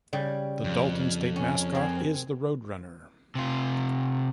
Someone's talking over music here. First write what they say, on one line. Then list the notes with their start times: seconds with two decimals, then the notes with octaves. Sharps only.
The Dalton State mascot is the roadrunner.
0.13 C#3 G3
0.64 F2
1.36 C#4
1.74 C4 G#4 A#4
3.35 C3 F4